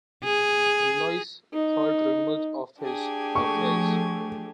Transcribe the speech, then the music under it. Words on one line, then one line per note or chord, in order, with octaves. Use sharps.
Louise heard rumors of his affairs.
G#4
D#4
D4 G4 G#4 G#5
F3 A3 C#6